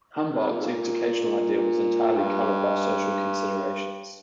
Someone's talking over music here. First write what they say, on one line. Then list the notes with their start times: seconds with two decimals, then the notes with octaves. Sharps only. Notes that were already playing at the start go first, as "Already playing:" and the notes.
Humboldt's educational ideal was entirely coloured by social considerations.
0.16 D#3
0.33 C3
0.50 A#2
0.60 G#2
0.66 A#2
2.16 G2